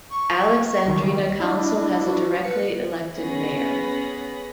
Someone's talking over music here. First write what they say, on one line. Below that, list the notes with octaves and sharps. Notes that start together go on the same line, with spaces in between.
Alexandrina Council has a directly elected mayor.
C#6
C#2 D#3 G3
D#5
D4 E4 D#5
F#4
B4 C#7
B3 C#4 G#4 B5 A#6